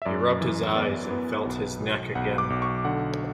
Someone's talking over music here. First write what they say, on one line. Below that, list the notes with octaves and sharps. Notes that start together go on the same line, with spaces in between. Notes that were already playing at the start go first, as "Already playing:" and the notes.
He rubbed his eyes and felt his neck again.
E5
F#2 D5
E3
B3 D5
B3
B1
B1
B1 F#5
D6
B1
C#6
D3 F#5